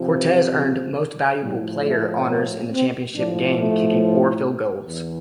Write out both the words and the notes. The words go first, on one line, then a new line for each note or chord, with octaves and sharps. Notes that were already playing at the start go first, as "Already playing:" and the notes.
Cortez earned Most Valuable Player honors in the championship game, kicking four field goals.
Already playing: F2 C3 F3
A2 F3 G3
A3
A#3
C4
A2 F3 D4
A3
E2 E3